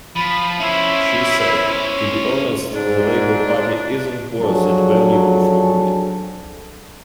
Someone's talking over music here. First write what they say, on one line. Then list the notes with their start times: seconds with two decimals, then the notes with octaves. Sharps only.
She said: To be honest, the Labour Party isn't worth that valuable three quid.
0.16 F3 B5
0.60 C#4 E4 C5
2.73 G#2 D4
4.39 F3 F#3 D4 G#4 A4